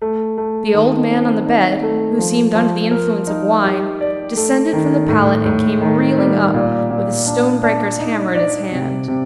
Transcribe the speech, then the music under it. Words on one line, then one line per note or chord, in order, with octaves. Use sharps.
The old man on the bed, who seemed under the influence of wine, descended from the pallet and came reeling up, with a stone-breaker's hammer in his hand.
A3
A3
D#3
C4
D#4
A3
F3
F3
A#4
D#4
G4
D5
A3
D#3
A2
A2
D#3
G3
A#2
A#2
D4
D4
D#4
D5
C3
C3